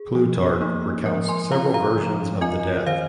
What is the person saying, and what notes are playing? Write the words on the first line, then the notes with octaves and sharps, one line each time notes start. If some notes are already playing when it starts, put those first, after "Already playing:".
Plutarch recounts several versions of the death.
Already playing: G#4
F3
A#3 D#4
F3 A#4
G#5 C6
C4 F4 F5 A#5
F5 A#5
F3
C4 F4 D#5 G#5
D#3 C5 F5